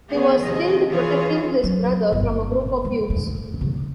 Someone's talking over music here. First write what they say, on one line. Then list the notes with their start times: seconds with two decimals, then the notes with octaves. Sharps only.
He was killed protecting his brother from a group of youths.
0.10 D3 D#3 B3 G#4
0.43 D#2 C3 F3 G#4 D#5
0.90 E3 F4 G#4 C#5
1.64 F#3
2.12 G1
2.85 G#3
3.10 A3
3.61 C#3